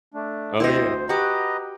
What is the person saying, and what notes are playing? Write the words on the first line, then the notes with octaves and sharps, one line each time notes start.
Oh, yeah.
A3 D4
D2 E4 G4 C5 D#5
F#4 G4 B4 D#5 A#5